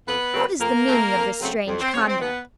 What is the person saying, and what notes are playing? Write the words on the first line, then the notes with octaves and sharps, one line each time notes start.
What is the meaning of this strange conduct?
F2 B3 B4
C#3 F#3 A3 C4
F2 A#3 A#4
C#3 F#3 A3 C4
F2
C#3 F#3 A3 C4
F2
C4 C5
C#3 F#3 A3 C4 C#4 C#5
C4 C5
D#2 B3 B4